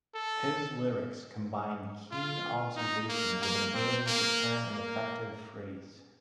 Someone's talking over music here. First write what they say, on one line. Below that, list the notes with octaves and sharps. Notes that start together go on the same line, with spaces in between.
His lyrics combined keen observation with an ability to turn an effective phrase.
A4
F4
D#4
A#3
A#3
C4
A#3
A#3